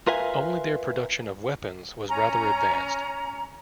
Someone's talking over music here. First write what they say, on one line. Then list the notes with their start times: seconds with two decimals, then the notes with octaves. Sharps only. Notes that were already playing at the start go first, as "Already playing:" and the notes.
Only their production of weapons was rather advanced.
0.07 F4 A#4 B4 E5 F5 G#5
2.08 C#4 A#5